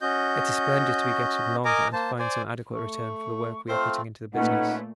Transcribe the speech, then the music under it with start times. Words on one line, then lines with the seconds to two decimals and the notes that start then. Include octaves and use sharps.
It is splendid to be getting along and to find some adequate return for the work we are putting into the business.
0.01 C#4 F#4 D#5 G6
1.65 A#4 D#5 G#5 A#5 D6
1.93 A#3 C5 A5
2.19 C5 D5 G#5
2.74 A3 C#6
3.69 A3 C4 F4 C5 F6
4.34 A#2 A3 C#4 D#4 B4 F#5